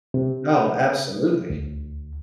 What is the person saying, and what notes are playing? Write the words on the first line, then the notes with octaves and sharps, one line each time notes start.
Oh, absolutely.
C3
D2